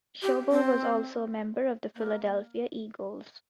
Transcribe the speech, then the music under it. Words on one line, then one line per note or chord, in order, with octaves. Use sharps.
Schobel was also a member of the Philadelphia Eagles.
G4
C4
A#3